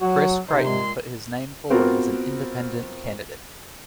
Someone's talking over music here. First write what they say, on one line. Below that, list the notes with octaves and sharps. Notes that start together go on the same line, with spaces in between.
Chris Creighton put his name forward as an independent candidate.
F#3 F#4
C3 D#4 C5
A#2 G#3 C6
B3 C4 F4 F#4 A#4